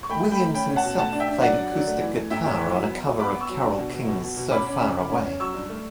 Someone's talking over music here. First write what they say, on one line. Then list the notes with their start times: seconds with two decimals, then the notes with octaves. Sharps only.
Williams himself played acoustic guitar on a cover of Carole King's "So Far Away".
0.03 C#6
0.09 A3 G5 B5
0.24 A3
0.31 G5 B5
0.40 A3
0.54 C#4 G5 B5
0.69 C#4
0.76 F#5 A5
0.83 B2
0.98 A3 F#5 A5
1.12 D4
1.20 E5 G5
1.28 D4
1.42 F#3 D5 F#5
1.58 D4
1.72 F#3
1.87 A3
2.01 E3
2.15 A3
2.30 A2 E5 G5
2.46 A2
2.61 E3
2.75 F#3
2.90 B3
3.05 F#3
3.19 B3 B5 D6
3.33 B3
3.41 C#6 E6
3.49 F#3
3.63 D4
3.77 B2
3.92 B2
4.08 B2
4.23 B2
4.37 B2
4.51 C#4 B5 D6
4.67 C#4
4.81 C#3
4.96 C#3
5.10 C#4
5.25 C#4
5.40 F#3 C#6 E6
5.54 G2
5.69 A3